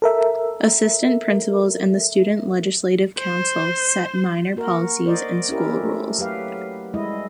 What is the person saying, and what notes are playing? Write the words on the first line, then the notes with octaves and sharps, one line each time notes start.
Assistant principals and the Student Legislative Council set minor policies and school rules.
A4 A#4 E5
C5
A#3 F#4 A#4
C5 D5 D#5
C#4 E4 G4 A#4
A3
F#3 G4 B4 F5
G3 G#3 E4 D#5